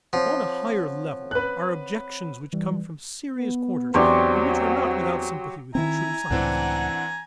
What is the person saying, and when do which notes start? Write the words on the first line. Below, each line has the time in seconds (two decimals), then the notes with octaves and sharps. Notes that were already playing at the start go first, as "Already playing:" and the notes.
On a higher level are objections which come from serious quarters and which are not without sympathy with true science.
0.13 F3 C4 C#5 F#5
1.31 B4 F#6
2.53 E3 G3
3.38 B3
3.94 E2 F#3 C4 D4 G4 C#5 C6
5.75 D#3 C4 E4 G#5 A#5
6.30 C#2 A2 E3 C4 D4 F#5